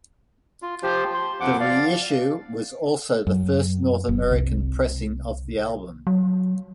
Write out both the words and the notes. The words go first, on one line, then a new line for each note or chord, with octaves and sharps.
The reissue was also the first North American pressing of the album.
F4
F3 F4 G4 C5
C6
F2 F3 F#5 D6
D5 F5
F#2
F#1
C2
F#3